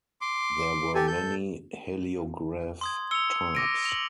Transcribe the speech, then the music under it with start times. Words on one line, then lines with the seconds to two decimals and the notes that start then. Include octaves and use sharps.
There were many heliograph types.
0.21 C6 D6
0.95 G4 A4 G#5
1.07 A4 G6
2.81 C6 D#6 G#6
3.11 E6 C#7 F7 G7
3.55 D6 A#6 D7 D#7
3.85 F7 F#7